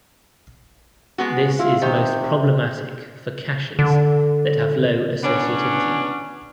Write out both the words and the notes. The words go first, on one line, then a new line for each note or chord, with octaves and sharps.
This is most problematic for caches that have low associativity.
G#3 B3 F#4
E4 F4
C3 D#3 G4
D3
B3 C#4 D4 C#5